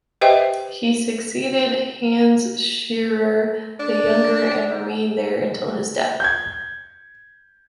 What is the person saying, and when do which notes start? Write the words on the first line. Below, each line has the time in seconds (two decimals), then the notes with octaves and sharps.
He succeeded Hans Scherer the Younger and remained there until his death.
0.21 G4 B4 C5 D#5 E5 G5
3.80 D4
6.20 G6 G#6